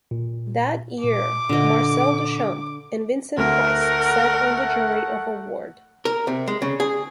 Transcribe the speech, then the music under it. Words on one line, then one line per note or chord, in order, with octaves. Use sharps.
That year, Marcel Duchamp and Vincent Price sat on the jury of award.
A#2
A#2 D6
A#2 D3 D#5
D2 A3 A#4 F#5
A#4
C3
G#3
C#3
G#4